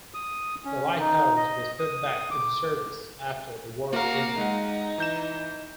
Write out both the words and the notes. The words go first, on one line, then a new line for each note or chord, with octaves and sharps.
The lighthouse was put back into service after the war ended.
D#6
C#4
D#4
D#5
D#6
D6
A#3 F#4 A#4 F5
G#3 D#4 F#5
E3 G6 E7